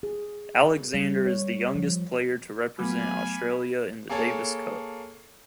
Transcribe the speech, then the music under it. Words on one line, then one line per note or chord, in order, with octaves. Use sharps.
Alexander is the youngest player to represent Australia in the Davis Cup.
G#4
G3
C#5
F3
F#3 A3 B3 F5 G#5 B5 D6
A#3 G#4 A4 C#5 A5